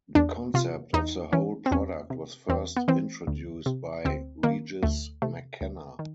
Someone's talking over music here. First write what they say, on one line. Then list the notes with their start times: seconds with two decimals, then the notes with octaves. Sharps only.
The concept of the whole product was first introduced by Regis McKenna.
0.15 E2 D4
0.54 C3 F4
0.93 E2 D#4
1.33 E3 C#4
1.66 C4
1.71 E2 C#4
2.10 C3
2.49 E2 C4
2.76 B3
2.88 E3 C4
3.27 D2
3.66 C3
4.05 D2 C4
4.43 D#3 A#3
4.83 D2 A3
5.22 C3 A3
5.61 D2
5.99 D#3